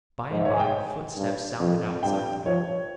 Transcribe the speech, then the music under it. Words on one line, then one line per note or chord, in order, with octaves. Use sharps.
By and by footsteps sounded outside the door.
G#2 C5
E5
C#5
G#5
G5
G2
F2
G2 G5
F3 C#5